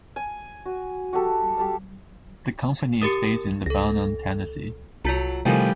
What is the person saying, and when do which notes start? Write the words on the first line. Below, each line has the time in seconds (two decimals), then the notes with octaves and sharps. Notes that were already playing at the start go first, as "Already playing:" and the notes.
The company is based in Lebanon, Tennessee.
0.16 G#5
0.65 F#4
1.13 F#4 G4 A4
1.57 G4 A4 F5
3.02 G4 A#4 A5 C#6 D#6
3.66 C#2 A4 A#6
5.05 C2 F#3 F4 A4 A#5
5.45 A2 C3 D#3 F3 G3 G#5